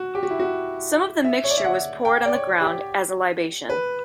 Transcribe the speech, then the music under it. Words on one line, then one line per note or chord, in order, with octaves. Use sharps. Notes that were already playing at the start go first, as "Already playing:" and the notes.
Some of the mixture was poured on the ground as a libation.
Already playing: F#4
G4
F#4
E4
F#4
E5
C#5
D5
E5
F#5
G5
D5
C#5
G4
B4